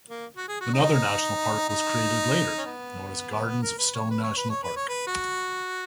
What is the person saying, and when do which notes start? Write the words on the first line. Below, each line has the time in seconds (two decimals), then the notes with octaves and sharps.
Another national park was created later, known as the Gardens of Stone National Park.
0.09 A#3
0.37 F#4
0.48 G#4
0.61 F#4
0.74 D#4
1.69 D#4
2.58 C#4
2.65 B3
3.62 A#4
3.78 B4
3.94 C#5
4.10 B4
4.23 C#5
4.37 B4
4.50 C#5
4.63 B4
4.76 C#5
4.89 B4
5.07 F#4